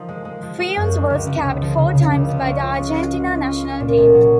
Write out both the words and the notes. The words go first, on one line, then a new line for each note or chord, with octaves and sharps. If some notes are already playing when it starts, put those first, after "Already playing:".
Funes was capped four times by the Argentina National Team.
Already playing: F3 D#4
G#3
G#3
F3
G#3
F#2
G#3
C#2
C#2
C#3
F3
C#3
C#3
C#2
C#2
C#4
F4
G#3
F4
G#3
C#4
F4
F4
A#2
B1
F#3